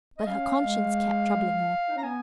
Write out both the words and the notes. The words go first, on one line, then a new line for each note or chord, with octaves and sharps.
But her conscience kept troubling her.
D#5
C#4 F5
G#3
D#4
C#4 A#5
B3 G#5